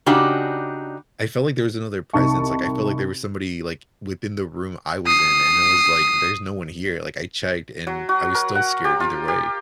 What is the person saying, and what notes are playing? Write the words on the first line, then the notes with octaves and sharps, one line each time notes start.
I felt like there was another presence, like, I felt like there was somebody, like, within the room I was in, and it was like, "There's no one here, like, I checked," and I was still scared either way.
C#3 D4 D#4 F#4 G4
C2 D#4 A5 C#6
D#6 C7
F#3
F#4
A#4
F#5
G4
F4
G4